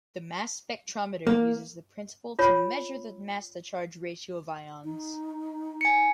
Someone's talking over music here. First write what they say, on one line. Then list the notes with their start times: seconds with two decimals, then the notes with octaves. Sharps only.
The mass spectrometer uses this principle to measure the mass-to-charge ratio of ions.
1.27 A#3
2.39 F4 C#5 B5
4.83 D#4
5.81 G#5 C#7